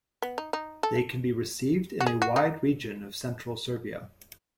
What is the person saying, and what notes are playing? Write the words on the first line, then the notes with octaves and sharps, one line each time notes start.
They can be received in a wide region of central Serbia.
B3
D#4
D#4
A4
F#4
G#4
F#4
D#4